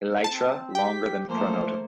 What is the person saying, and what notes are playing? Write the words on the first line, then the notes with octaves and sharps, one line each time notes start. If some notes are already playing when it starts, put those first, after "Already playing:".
Elytra longer than pronotum.
C4 A5
G4 G5 B6
F3 A3 A#3 C5